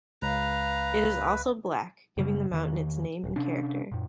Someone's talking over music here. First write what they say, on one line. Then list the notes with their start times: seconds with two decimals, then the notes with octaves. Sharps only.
It is also black, giving the mountain its name and character.
0.22 C#2 B4 F5 A#5
2.17 F#2 C#3 G3
2.51 E2 D#3
3.24 D#1
3.36 C3 C#4 D4
3.92 F#2 A#2